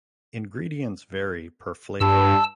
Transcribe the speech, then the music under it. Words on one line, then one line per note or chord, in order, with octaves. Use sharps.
Ingredients vary per flavor.
G2 A5 E6